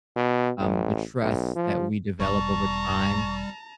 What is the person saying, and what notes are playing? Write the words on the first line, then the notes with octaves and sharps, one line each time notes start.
um, the trust that we develop over time,
B2
A1
B1
F3
E1 G3 A5 A#5 C#6